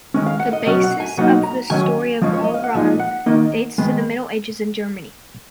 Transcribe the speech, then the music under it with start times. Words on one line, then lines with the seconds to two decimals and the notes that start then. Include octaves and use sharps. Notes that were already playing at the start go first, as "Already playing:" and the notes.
The basis of the story of Alraune dates to the Middle Ages in Germany.
0.14 D#3 G#3 C#4
0.26 F5
0.40 F#5
0.53 D#5
0.66 B2 F#3 C#4
0.84 F#5
1.00 G#5
1.17 B2 F#3 A#3 D#4 F#5
1.43 A#5
1.70 D#3 F#3 C#4 G#5
2.22 F3 G#3 C#4
2.33 C#5
2.44 D#5
2.54 F5
2.64 F#5
2.75 A#2 F3 G#3 D#4 G#5
3.00 F#5
3.26 D#3 A#3 D#4
3.78 D#3 G#3 B3